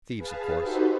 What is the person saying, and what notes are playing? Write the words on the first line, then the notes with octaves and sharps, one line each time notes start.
Thieves, of course.
G#4 B4 F5 A5
D#4 F#4 G4 A4 B4 C5